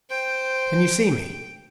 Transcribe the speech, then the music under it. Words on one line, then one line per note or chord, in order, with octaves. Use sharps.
"Can you see me?"
C5 G5